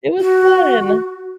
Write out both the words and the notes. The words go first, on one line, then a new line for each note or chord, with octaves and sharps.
It was fun.
F#4